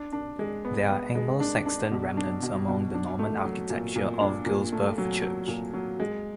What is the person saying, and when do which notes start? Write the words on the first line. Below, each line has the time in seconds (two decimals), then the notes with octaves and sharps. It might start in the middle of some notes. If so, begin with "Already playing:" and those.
There are Anglo-Saxon remnants among the Norman architecture of Guilsborough church.
Already playing: D4
0.13 D4
0.39 G#3
0.65 B3
0.90 B3
1.15 G#3
1.40 D4
1.66 D4
1.91 B2
2.17 D4
2.42 B2
2.68 B2
2.94 D4
3.19 A3
3.45 F#3
3.70 A#2
3.96 A#2
4.20 D4
4.46 A#2
4.72 A3
4.98 F#3
5.22 F#3
5.48 A#2
5.73 F#3
6.00 G#3